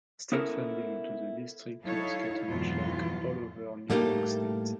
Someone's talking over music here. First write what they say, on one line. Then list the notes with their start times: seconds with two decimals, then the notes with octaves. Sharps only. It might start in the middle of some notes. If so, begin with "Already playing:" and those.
State funding to the district was cut much like all over New York State.
0.32 B3 C#4 E4 A4 A#4 C5
1.84 F#3 D#4 E4 A4 C#5 F5
2.49 F2 G#2 B2 E3 F#3 F4
3.90 A2 G3 A3 A#3 D#4 G4